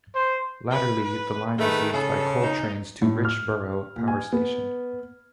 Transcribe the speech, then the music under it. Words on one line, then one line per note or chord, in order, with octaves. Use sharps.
Latterly the line was used by coal trains to Richborough power station.
C5
B4
B4
D#3 G#3 A3 B4
C#3 A4
D#4
A2
F6
A#2
G#5
B3